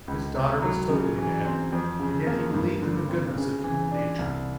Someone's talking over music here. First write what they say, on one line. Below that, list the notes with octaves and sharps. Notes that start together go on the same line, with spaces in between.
His daughter was totally mad--and yet he believed in the goodness of human nature.
C#2
C3
F#3
C#3
E3
C4
F2
C#3
A#3
G2
D3
C4
C#3
E3
D4
C2